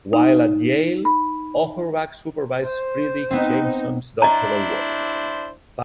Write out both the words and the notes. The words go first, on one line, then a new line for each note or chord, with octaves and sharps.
While at Yale, Auerbach supervised Fredric Jameson's doctoral work.
D#4
B5
C5
B3 C4 D#4
D4 E4 C5 D#5 A#5